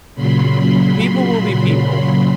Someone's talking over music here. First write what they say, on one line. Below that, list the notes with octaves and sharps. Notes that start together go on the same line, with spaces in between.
"People will be people
A#2 C#3 F#3 B5 C6